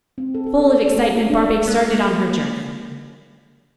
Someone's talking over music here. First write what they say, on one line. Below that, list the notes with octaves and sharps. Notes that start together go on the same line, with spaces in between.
Full of excitement, Barbaik started on her journey.
C4
A4
A4
A4
A4
A3
F4
D4
G#3 A#3